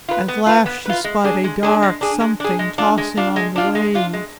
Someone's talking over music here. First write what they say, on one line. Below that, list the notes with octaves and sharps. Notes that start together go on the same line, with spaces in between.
At last she spied a dark something tossing on the waves.
F4 B4
B3
F4 B4
B3
F4 B4
G#3
D4 G#4
G#3
D4 G#4
G#3
D4 G#4
G#3
D4 G#4
G#3
D4 F4
G#3
D4 F4
G#3
D4 F4
G#3
D4 F4
G#3